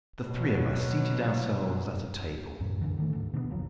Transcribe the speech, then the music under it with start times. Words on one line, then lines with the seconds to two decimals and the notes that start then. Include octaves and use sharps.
The three of us seated ourselves at a table.
0.25 B2 F#3
2.60 C2 F#2 A2 F#3
2.81 F2 D3 E3
2.97 A1 D#3 F3 A3
3.13 D2 G#2
3.33 B2 D3 G#3 B3
3.50 G1 D#2 F3 F#3